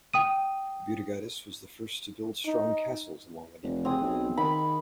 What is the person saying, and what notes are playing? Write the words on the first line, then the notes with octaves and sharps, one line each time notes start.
Butigeidis was the first to build strong castles along the Neman River.
G5 D#6 D#7
D#4
F1
C4 G#4 D#6
B1
D#3 B5